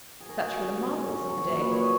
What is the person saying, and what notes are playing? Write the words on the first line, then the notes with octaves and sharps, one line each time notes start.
Such were the models of the day.
F#3 G#4
A#4
F#3 G#4
C#3
C#3
F#3
F#3
A#2
B4
A#2 C#5
D#5